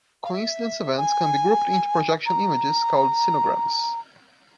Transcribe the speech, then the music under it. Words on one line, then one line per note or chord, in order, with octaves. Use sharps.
Coincidence events can be grouped into projection images, called sinograms.
F5
E5
G#5
A#5